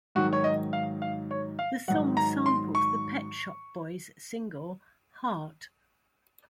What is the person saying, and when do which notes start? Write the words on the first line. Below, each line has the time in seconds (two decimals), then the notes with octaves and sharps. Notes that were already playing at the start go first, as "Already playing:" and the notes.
The song samples the Pet Shop Boys' single, "Heart".
0.15 G#2 D#3 F#3 F#4
0.33 C#5
0.44 D#5
0.73 F5
1.02 F5
1.31 C#5
1.59 F5
1.88 G#2 D#3 F#3 F#5
2.17 A#5
2.46 C6
2.75 C#6